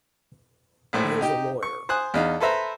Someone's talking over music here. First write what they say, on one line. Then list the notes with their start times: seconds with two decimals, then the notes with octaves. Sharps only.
He is a lawyer.
0.93 A#1 A2 C5
1.21 D#4 G4
1.63 C#6
1.89 C5 G#5 D#6 F#6
2.14 E2 D#4 F5
2.40 A4 B4 C5 E5 A#5